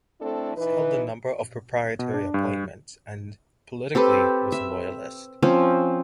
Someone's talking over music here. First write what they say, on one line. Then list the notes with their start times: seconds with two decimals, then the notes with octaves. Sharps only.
Brice held a number of Proprietary appointments and, politically, was a Loyalist.
0.20 A3 C4 D4 E4 A4
0.57 E3 D#4 B4
1.99 B2
2.14 D4
2.34 G2
3.95 C4 G4 A4 B4
4.52 E5
5.42 F3 C4 C#4